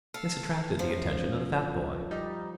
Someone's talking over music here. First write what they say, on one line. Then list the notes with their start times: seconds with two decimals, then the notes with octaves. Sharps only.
This attracted the attention of the fat boy.
0.14 A4 F5
0.79 F#2 F3
2.11 G3 D#4